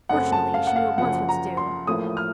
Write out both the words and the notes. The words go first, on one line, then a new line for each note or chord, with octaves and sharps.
Fortunately she knew at once what to do.
F#2 C#3 A3 C4 F#5
A5
F5
F#5
F5
F#1 F#2 F3 F#5
A#5
C6
A1 A2 F3 A#3 D#6
F6